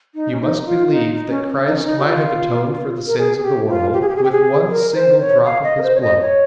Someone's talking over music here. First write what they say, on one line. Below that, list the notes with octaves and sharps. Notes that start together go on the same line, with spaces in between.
You must believe that Christ might have atoned for the sins of the world with one single drop of His blood.
D#4
C#4
D#4
F4
D#4
C#4
C#4
D#4
C#4
D#4
G4
F4
A#4
G#4
G#4
G4
F4
G4
G#4
G4
G#4
G4
G#4
A#4
C5
C#5
F5
D#5
A#4
C5
C#5
D#5
C#5